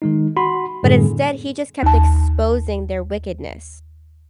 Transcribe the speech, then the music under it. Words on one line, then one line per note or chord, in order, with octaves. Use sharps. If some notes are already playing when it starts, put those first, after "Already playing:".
But instead, he just kept exposing their wickedness
D#3 G#3 D#4
F#4 B5 C6
F#2 A2 D3 G3 B3 G#4
D#2 A5